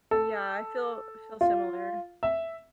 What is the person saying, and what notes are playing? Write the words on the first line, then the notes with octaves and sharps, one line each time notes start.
Yeah. I feel I feel similar.
A4
F4
E5